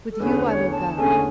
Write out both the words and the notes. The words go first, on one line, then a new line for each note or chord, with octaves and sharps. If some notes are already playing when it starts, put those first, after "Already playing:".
With you I will go.
A4
E2 D3 A3 C#4 G#4 B4
C#5
A5
E2 D3 A3 C#4 G#4 G#5